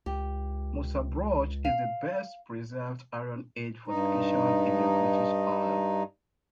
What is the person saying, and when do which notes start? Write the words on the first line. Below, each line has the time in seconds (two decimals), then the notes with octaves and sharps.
Mousa Broch is the best preserved Iron Age fortification in the British Isles.
0.06 C#2 G4
1.65 F5
3.87 G2 D#4